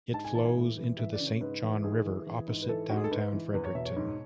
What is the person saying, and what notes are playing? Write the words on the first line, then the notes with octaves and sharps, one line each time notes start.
It flows into the Saint John River opposite downtown Fredericton.
G#2 A5
G#5
E3 A5
G#5
A2
E3
E3 E5
D5
C#3
C#5
G#2 B4
E3
G#2 G#4
E3
E3
G#2
B4
E3 A4
G#2 F#4
G#4
A4
G#2 B4
E3
E2 B4
C#5
B2 E5
C#5
G#2